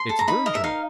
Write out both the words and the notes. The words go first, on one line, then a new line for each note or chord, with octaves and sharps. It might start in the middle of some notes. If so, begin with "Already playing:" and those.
It's virginal.
Already playing: C6
A4
A#5
D#4 B5
A#4 D#5
E5
D#4 F5